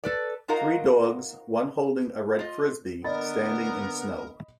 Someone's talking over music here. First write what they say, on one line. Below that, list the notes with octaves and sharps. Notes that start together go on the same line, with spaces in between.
Three dogs, one holding a red Frisbee, standing in snow.
A4 B4 D5
D#4 F4 F#4 A#4 D#5 F5
F4 D#5
D3 A#3 B3 A#4 D5 D#5 B5 A6